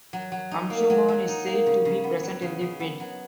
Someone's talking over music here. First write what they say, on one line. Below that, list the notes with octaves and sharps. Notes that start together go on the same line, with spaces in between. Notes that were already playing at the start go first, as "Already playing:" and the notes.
Amshuman is said to be present in the Wind.
F#3
F#3
D#4
A#3
F#3
F#3
D#4
A#3
C#3
C#3
B3
F#3
C#3
C#3
B3
F#3